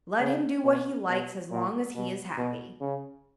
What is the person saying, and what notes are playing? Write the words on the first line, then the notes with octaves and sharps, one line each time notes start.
Let him do what he likes, as long as he is happy.
C#3
B2
B2
A#2
B2
B2
C#3